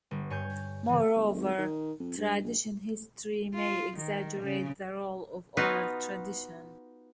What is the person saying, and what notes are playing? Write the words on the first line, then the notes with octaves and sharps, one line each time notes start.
Moreover, tradition history may exaggerate the role of oral tradition.
G1
G2 C#5 G#5 G6
C#3 E3
G1
G#1
D#3
F2
G2
A#1
F4
D#3
C#3
B3 D#4 F4 F#4 B4